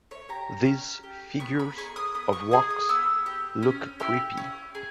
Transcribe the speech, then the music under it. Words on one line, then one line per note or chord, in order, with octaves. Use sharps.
These figures of wax look creepy.
C#5
G4 A#5
C#4
G4
B3 C#6
B5
D#4 G#4 C#6
D#6
B3 D#6
C#6
D#4 G#4 D#6
D#6
B3 E6
G4
C#4
E4 G4
C#4
G#4